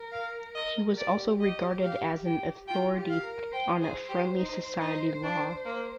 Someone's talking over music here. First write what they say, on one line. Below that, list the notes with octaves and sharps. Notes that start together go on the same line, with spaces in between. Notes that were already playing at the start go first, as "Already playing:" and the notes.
He was also regarded as ‘an authority on Friendly Society law.
Already playing: A#4
F5
D#5
G4 D5
D#5
F5
G5
F4 G5
G4
F5
A#4
C5 G5
G#4
G4
D#4
D#4
D4
A#3